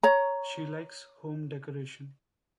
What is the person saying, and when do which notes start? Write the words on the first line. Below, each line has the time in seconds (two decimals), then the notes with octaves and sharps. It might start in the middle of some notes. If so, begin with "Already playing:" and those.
She likes home decoration.
0.03 C#5 A#5